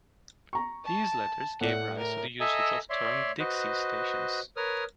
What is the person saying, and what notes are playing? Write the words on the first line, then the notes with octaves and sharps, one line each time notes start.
These letters gave rise to usage of the term Dixie Stations.
A#5 C#6
A5
A2 A3 D5 F#5
A#4
A4 D#5 E5 G#5 A#5 E6
C#5 D5 E5 C6
F#4 B4 C5 D#5
A#4 B4 C#5 D#6 F6